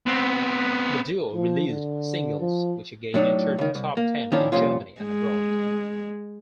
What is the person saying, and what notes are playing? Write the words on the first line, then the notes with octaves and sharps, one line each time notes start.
The duo released singles which again entered the top ten in Germany and abroad.
B3 C4
F3
D3
F3
A2 F#3 D4 D#4
C#2 D#3
C2
A#3
D#3 F3 C#4 D4 E4
C2 F2 A#2 C#4 F4
G#3